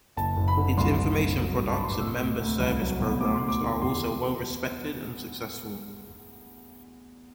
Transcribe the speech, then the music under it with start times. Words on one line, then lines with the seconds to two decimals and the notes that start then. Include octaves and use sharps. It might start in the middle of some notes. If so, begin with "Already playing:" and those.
Its information products and member service programs are also well respected and successful.
0.17 F#1 A5
0.36 F#1
0.48 B5
0.57 D3
0.77 C2 C6
0.98 C2
1.19 C2
1.39 F#3
1.58 G2
1.68 A5
1.76 B5
1.80 A1 C6
1.92 D6
1.99 C3 E6
2.19 D2
2.41 D2
2.60 C2
2.80 F#3
3.00 B2
3.20 D2 D6
3.34 C6
3.42 D2
3.48 D6
3.61 D3
3.82 E2 C6